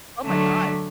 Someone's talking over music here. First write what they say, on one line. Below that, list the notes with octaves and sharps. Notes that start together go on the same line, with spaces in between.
Oh my god.
D3 F#3 A3